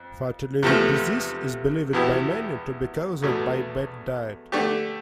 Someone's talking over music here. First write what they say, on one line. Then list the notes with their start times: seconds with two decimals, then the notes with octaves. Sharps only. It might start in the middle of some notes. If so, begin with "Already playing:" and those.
Fatty liver disease is believed by many to be caused by bad diet.
Already playing: F2
0.63 E2 C3 F3 A3
1.93 E2 B2 B3 E4 G4
3.22 E2 B2 A3 D4
4.52 D3 A3 D4 G4